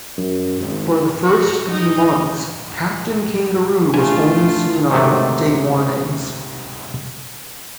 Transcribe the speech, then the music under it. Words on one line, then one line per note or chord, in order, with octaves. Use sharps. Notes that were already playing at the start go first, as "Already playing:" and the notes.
For the first three months, "Captain Kangaroo" was only seen on weekday mornings.
F#2
G#1
F#4
D#4
A3 D4 F4 G#5
G#2 C3 D#3 F#3 A3